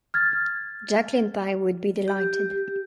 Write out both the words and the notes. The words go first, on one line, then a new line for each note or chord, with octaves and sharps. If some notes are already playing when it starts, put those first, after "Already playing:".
Jacqueline Pye would be delighted.
F6 G#6 A6
G4